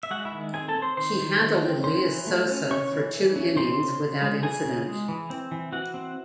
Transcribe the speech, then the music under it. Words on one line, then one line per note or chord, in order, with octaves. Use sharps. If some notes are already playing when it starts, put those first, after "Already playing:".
He handled Elias Sosa for two innings without incident.
E5
G#3 F#4 F#5
E4 E5
D#3
C4 G#4 G#5
A4 A5
C4
C5 C6
D#3 C5 C6
D#3
D#3
C4
C#4 C5 C6
E3
A3
C#4
C#4 C#5 C#6
E3
E3
C#4
C#3 C5 C6
C#3
C#3
G#3
E3 G#4 G#5
C#3
G#3
E3
C4
E3
E3 F#4 F#5
C4